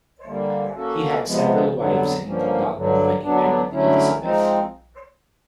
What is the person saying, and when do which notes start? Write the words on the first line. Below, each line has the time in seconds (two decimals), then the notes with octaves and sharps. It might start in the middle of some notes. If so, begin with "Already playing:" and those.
He had several wives and did not move when he married Elisabeth.
0.26 D3 G3 A#3
0.75 A#3 C#4 F#4 A4
1.25 C3 F3 G#3 B3
1.74 F2 D3 F#3 B3
2.23 G2 D3 F3 A#3 C#4
2.73 G2 D3 F#3
3.22 D3 F#3 B3 D4
3.70 D3 F#3 A3 C#4 E4
4.21 F3 G#3 C4 D#4